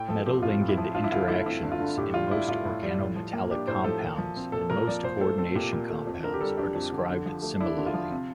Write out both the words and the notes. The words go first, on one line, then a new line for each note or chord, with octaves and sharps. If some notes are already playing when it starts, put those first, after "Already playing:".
Metal-ligand interactions in most organometallic compounds and most coordination compounds are described similarly.
Already playing: A2 G5
F3 A4
C4 G4
A2 F4
A2
E4
F3
G2 F4
E4
D3 F4
A3 E4
C4 E4
G2
F4
D3
A2 G4
G3 F4
D4 E4
A2 F4
A2
G3
A2
F3
A#3
D4 G4
A2 C5
F3 A4
A#2
F3
C4
A#2 A4
A#2 A#4
F3 D5
A#2 C5
A3 A4
C4 A4
A#2 G4
A#2
A3
F2
D3 A#4
G4
G3 A4
D4 G4
F2
D3
D3
F3
A3
D4 E4
D3
F4
F3
C3